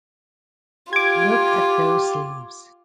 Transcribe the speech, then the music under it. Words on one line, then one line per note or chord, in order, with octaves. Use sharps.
Look at those sleeves!
F4 G4 D6 G#6